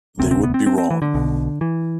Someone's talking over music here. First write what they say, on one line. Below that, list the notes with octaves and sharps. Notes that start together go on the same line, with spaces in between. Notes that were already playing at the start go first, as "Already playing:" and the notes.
They would be wrong.
E1 D2 C3 C4
C4
B3
C4
C4
C4
E3
D3
B1 B2
E3